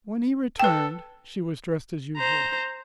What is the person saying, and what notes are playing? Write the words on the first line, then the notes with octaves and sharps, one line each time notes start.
When he returned she was dressed as usual.
A4 B4 G5
C5 A#5